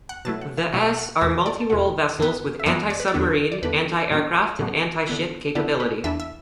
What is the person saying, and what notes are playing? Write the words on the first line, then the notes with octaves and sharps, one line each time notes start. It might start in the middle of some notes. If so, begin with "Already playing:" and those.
The s are multi-role vessels with anti-submarine, anti-aircraft and anti-ship capability.
F#5
B2 F#3 A3 E4 A5
F#5
E5
B2 F#3 A3 E4 F#5
E5
F#5
E2 B2 A3 E5
D5
A5
E2 B2 A3 F#5
F#2 E3 B3
E5
F#2 E3 B3 D5
D5
B4
D5
E2 D3 B3 D4
D5
E2 D3 B3 D4 B4
A2 F#3 B3 D4
A2 F#3 B3 D4
D3 B3 E4
D3 B3 E4 D5
B4
E2 E3 D4 E5
E5